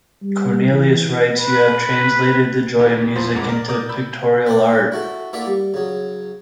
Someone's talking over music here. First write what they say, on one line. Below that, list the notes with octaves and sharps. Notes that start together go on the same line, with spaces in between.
Cornelius writes, You have translated the joy of music into pictorial art.
G3
E3
B4
D#2 E4
E2 F3 F4 B4 C5 A6
G1 F2 G#3 F#5 A#5 D6
A#4 D5
A#4 D5 D6 D#6 G6
B5 E6 G6
C4 A5 D6
E4 F#4 A4
A#3 E4 F4 D5 E5 F#5
G3
C#3 F#3